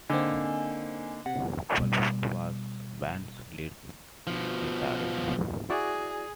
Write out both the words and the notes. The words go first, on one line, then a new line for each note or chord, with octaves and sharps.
Pulsford was the band's lead guitarist.
D3 A#3 C4 D#4 G#5
C3 F#5
B2 G3
B2 F3
E4 F#4 G#4 D5